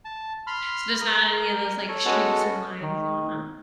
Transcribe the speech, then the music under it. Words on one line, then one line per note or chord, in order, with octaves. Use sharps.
so there's not any of those, like, streaks, and lines, and whatnot.
A5
B5 C6 F6
A#5 D#6
A#4
A4 C#5
G#3 B3 C#4 F#4 A4
D#3